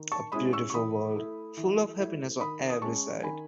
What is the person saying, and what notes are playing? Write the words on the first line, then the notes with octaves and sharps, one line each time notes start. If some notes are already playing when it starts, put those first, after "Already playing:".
A beautiful world, full of happiness on every side.
Already playing: D#3
A5 C#6
G#3 C#4 E4 B5 D#6
C#6 E6
C#6
E3 B5 D#6
A3 E4
E3
A3 E4
D#3 B5 D#6
D#6
G#3 C#4 A5 C#6
D#3 G#5 B5